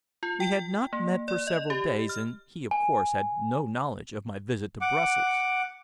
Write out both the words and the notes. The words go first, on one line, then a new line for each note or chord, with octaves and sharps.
We had not met for several days, and he, of course, had no knowledge of my visit to Brussels.
F4
G5
A#3
D5
D#5
G4
F6
G#5
F#5 D6